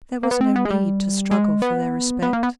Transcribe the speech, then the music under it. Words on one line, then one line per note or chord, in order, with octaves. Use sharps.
There was no need to struggle for their respect.
A#3
B3
C4
B3
G#3
G3
G#3
B3
B3
A#3
B3